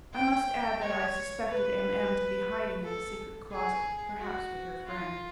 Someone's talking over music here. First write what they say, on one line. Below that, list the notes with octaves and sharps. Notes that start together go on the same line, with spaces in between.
I must add that I suspected M---- M---- to be hiding in the secret closet, perhaps with her friend.
G5
C#5
B4
A4
G#4
F#4
F4